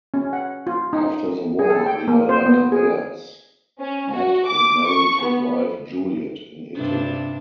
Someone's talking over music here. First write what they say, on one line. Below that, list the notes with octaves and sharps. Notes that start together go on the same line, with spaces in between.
After the war, the elder Capellas met and married his wife, Juliet, in Italy.
C#4
F#5
F4
D#4
G#4
A4
G5
A#3
C5
B3
G#4
C#4
F#4
D6
C#6
B3
G2 C3 D4